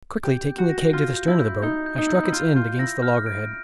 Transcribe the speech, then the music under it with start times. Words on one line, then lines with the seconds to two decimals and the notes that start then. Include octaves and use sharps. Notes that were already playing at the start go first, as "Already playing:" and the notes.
Quickly taking the keg to the stern of the boat, I struck its end against the loggerhead.
0.23 G4 G6
0.47 G6
0.58 F#4
0.69 A#6
0.93 F4 G6
1.16 G6
1.28 E4
1.40 G6
1.62 D#4 G6
1.86 G6
1.98 D#4
2.06 E4 G6
2.15 D#4
2.23 E4
2.32 F4 G6
2.56 F4 G6
2.79 E4 A#6
3.02 F6
3.26 D7